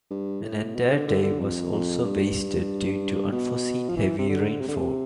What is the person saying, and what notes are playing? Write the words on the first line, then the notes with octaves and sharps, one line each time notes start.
An entire day was also wasted due to unforeseen heavy rainfall.
G2
A2
B2
D3
D3
D3
F2
F2
G2
B2
F3
E3
C3
D3
C3
D3
C3